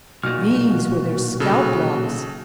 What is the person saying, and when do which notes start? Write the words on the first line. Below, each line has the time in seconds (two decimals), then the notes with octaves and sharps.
These were their scalp locks.
0.23 B1 A#2 F#4 F6
1.40 C#3 F#4 A4